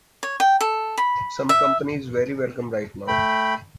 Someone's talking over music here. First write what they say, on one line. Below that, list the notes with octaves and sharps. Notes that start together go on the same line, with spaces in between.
Some company is very welcome right now.
C#5
G5
A4
B5
E5
A3 G5 B5